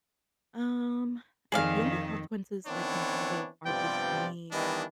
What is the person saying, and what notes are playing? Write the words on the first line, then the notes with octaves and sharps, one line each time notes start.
Um, I the only consequences I can think of are just me,
F2 D#3 G#4 D5 F5
D#3 E3 B3 C4 D4 C#5
G2 C3 F3 B3 D5 G5
D#3 E3 G3 B3 D4 D#5